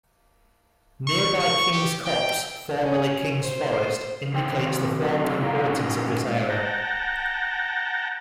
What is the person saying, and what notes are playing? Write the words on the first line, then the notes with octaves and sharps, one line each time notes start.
Nearby Kings Copse, formerly Kings Forest, indicates the former importance of this area.
C#6
C#6
G4
G5
C#4
C5
E2 D3 C5 G5
C3 D#3
C3 F#3 A3
C3 G#3 E4 A#4 F5 A#5
G#3 C#4 D#4 F#4
F#5 G5 A5 A#5